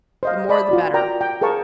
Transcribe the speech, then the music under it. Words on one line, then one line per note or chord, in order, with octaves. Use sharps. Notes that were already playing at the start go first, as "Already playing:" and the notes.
The more the better.
C5 D#5 F5
D5 E5 A5 B5 D#6
F4 F#4 D5
A#4 D5 G5 A#5
G5
G#4 A#4 C5 F5 A5 C#6